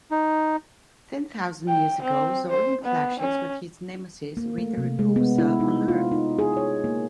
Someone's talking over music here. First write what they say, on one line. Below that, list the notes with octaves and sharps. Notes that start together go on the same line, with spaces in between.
Ten thousand years ago, Zordon clashes with his nemesis, Rita Repulsa, on Earth.
D#4
G5
C4
C5
B3
C#4
A#3
A3
C3
G#3
B3
E4
D#4
F4
D#4
G#4
C#5
A#3